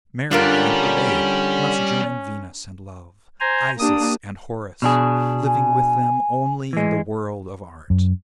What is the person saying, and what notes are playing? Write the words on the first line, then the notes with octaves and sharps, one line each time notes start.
Mary and her babe must join Venus and Love, Isis and Horus; living with them only in the world of art.
D3 G3 C#4 D4 F4 A#4
C5 G#5 A#5
A#3 D4 G4 D#6
B2 D4 G#4
G#5
E3 G#3
F#2